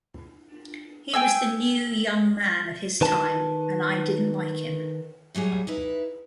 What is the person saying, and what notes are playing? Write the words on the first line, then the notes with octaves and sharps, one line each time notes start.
He was the New Young Man of his time and I didn't like him.
G5 G#5 E6
D#3 B4 A5
A2 F#3 G3 G#4
D#4 E4 B4